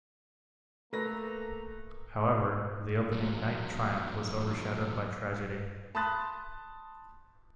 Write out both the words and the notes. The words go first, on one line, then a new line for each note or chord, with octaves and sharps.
However, the opening night triumph was overshadowed by tragedy.
A3 A#3 A4 B4 A#5 A#6
A#2 F#3
A5 B5 C6 D#6 F#6 A6